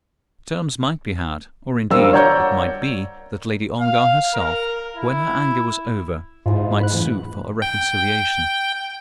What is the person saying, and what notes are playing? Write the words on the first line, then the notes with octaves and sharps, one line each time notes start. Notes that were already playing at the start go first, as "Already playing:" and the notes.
Terms might be had; or, indeed, it might be that Lady Ongar herself, when her anger was over, might sue for a reconciliation.
G3 D4 A#4 C5 F5 E6
C#5 D5 F#5 A#5 G6
F5
A#4
E4
G#2 E4 F4
B5 F#6
F#2 A2 E3
G5